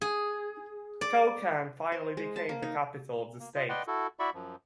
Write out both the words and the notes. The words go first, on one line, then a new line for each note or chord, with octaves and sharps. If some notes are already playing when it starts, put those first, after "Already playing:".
Kokand finally became the capital of the state.
G#4
D5
C5
G#3
A5
A#3
D#4
A#3
F4 D#5
B4 D5 D#5 F#5 G5 C6
E4 F#4 A4
E4 F#4 D5 E5 B5 C#6
F#2 F3